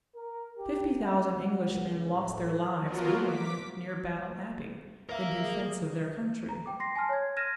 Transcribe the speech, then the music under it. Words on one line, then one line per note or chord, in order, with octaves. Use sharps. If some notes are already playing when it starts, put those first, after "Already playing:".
Fifty thousand Englishmen lost their lives willingly near Battle Abbey, in defence of their country.
A#4
G4
F#5
C#2
A2
F3 F#3 B3 F4 F#4 A#4
D6 B6
A#4 E5 F5
G#4
G#4
A#5
G5 D6
C6 A#6 C7
G#5 A5 C6 F6
C#5 G#6
F6 G#6 A#6 D#7 E7